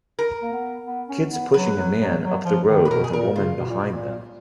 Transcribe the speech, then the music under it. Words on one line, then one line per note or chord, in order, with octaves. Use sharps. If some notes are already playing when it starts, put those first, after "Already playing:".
Kids pushing a man up the road with a woman behind them.
A#4
A#3
B3
B3
C#4
B3
F#3 B4
F#3
F#3
F#3
F3
D#3
B4
B2 A#4
G#4
A#2 A#4
C#3 F4
B2
A#2
B2
A#2